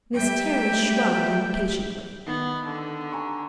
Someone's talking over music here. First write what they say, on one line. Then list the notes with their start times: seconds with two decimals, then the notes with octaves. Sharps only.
Miss Terry shrugged impatiently.
0.15 G3 A3 E5 G5
2.27 D#3 B3
2.66 D3
3.12 G#5 A#5 C#6